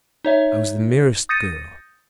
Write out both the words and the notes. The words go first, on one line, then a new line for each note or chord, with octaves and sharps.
I was the merest girl.
D#4 C#5 E5
D#6 G6 A6 A#6 C#7 D#7